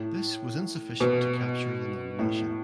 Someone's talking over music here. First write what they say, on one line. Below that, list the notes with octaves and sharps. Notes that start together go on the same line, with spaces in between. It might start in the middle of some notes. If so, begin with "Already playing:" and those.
This was insufficient to capture the nomination.
Already playing: A2
B2
A2